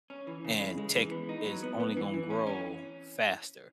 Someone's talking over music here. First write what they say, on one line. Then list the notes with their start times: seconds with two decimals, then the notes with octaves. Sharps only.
and tech is only gonna grow faster,
0.10 C#4
0.27 E3
0.45 C#3
0.61 G#3
0.78 G#3
0.95 E3
1.11 B3
1.29 D#4
1.46 F#3
1.63 B3
1.80 B3
1.97 E3
2.14 E3
2.30 C#4
2.47 C#4